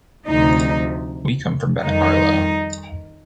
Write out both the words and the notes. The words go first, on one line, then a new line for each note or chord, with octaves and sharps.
We come from Benicarló.
D2 C3 F3 D#4
F2 D#3 G3 D#4